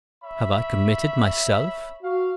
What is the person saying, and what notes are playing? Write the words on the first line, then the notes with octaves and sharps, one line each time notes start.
Have I committed myself?
C#5 E5 B5
F#4 F5